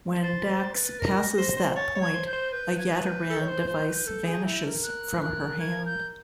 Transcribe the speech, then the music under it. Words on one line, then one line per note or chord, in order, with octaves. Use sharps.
When Dax passes that point, a Yaderan device vanishes from her hand.
C5 A6
C5
A6
B4
A6
A#4 A#6
C5
C5
C#5 A6
C#5
G#6
C5
G6
C5
B4 G6
G#6
G6
A4
C#5
C5
C5
B4
A4
G#4
E4
A#4
F#6
F#6
G#6
G6